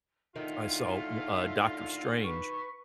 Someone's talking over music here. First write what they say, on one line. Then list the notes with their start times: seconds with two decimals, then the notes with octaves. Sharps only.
I saw, wh uh, Doctor Strange
0.36 A2 D3 D#3 D#4 F4 E5
2.23 B4 C#6